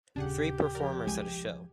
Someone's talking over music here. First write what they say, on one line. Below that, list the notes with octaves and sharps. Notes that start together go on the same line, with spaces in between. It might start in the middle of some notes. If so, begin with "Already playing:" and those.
Three performers at a show.
D#1 C#3 C#4 D4 G4 G#4 F#5
F3 A#4 D5
C2 G#3 G#5